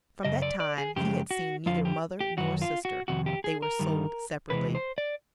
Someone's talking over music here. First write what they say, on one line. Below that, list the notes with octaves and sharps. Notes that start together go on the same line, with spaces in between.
From that time he had seen neither mother nor sister--they were sold separately.
F#2 C#3 D#5
D5
D5
G#4
F#2 C#3 F3 G#3 G4
F#4
F2 D3 F3 F4
G4
G4
F#2 D#3 F#3 F#4
F4
F#4
F2 C3 D#3 F#4
G4
G#4
A#4
G2 D#3 G3
E2 C3 E3 G#3 B4
C5
D5